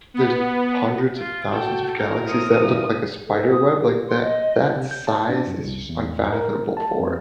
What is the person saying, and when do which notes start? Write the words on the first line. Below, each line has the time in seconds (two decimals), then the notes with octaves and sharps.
there's hundreds of thousands of galaxies that look like a spider web, like, that that size is just unfathomable for
0.14 B3
1.18 F4
1.52 F#4 A4 G5
1.98 A2 D#4 F#4 A4 A#4
2.29 C5 D#6
2.61 G2 E3 A#3
3.26 A4
3.51 D#6
3.84 G4
4.08 C6
4.22 D#5
4.76 C3
4.91 G6
5.07 A5
5.29 D4
5.47 F#2
5.64 C2
5.89 E2
6.17 F2
6.33 A#4
6.77 A5
7.00 F2